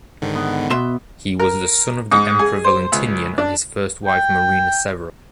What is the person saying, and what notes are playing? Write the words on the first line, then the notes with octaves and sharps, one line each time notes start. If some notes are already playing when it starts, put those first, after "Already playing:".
He was the son of the emperor Valentinian and his first wife Marina Severa.
G#2 D3 D#3
B3
B2 E5 C6
A#4
G#2
G#4
C5
C#2
D4
G5